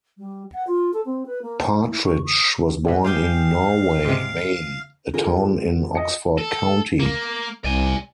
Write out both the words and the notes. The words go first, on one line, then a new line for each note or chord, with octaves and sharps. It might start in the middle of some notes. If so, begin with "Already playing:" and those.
Partridge was born in Norway, Maine, a town in Oxford County.
G3
F#5
F4
A4
C4
B4
A#3
E4
C#6
D#6
G2 B2
G4 G#4 F5 G5
G#2 C3
D3 F4 G#4 A#4
D#5 C#7
A4
A#3
C2 D5 G#5